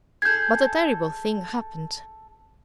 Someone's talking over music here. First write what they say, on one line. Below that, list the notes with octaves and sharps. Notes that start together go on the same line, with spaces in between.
But a terrible thing happened!
G#4 A4 G6 G#6